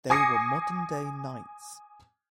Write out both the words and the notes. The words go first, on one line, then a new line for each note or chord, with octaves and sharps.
They were modern-day knights.
G#5 D6 D#6 A#6 C7 C#7